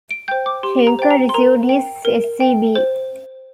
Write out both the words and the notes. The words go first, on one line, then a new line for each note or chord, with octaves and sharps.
Shenker received his Sc.B.
D7
C5 G5 G6
D6
G4 C6
A#5
C5 G5
A#5
C6
A#4 A#5
G5
A#4
G5
C5